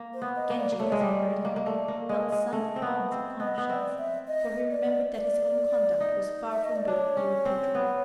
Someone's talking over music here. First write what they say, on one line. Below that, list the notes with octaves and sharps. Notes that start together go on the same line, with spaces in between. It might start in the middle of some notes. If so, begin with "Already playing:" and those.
Genji as he heard him, felt some qualms of conscience, for he remembered that his own conduct was far from being irreproachable.
Already playing: A#3
C5
B3
D#5
A#3
D5
A#3
A3 C#5
G#3
G3
D#5
A#3
A#3
A3 D5
A#3
G#3 D#5
G#3
A3
C4
B3
C4
B3 D#5
B3
C4 E5
D5
E5
D#5
D5
E5
D5
D#4
E5
D#5
D5
D4 C#5
C#4
C4
B3